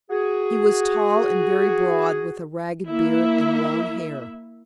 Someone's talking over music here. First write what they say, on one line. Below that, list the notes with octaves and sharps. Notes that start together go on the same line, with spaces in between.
He was tall and very broad, with a ragged beard and long hair.
F#4 G#4
A#3 E4 E5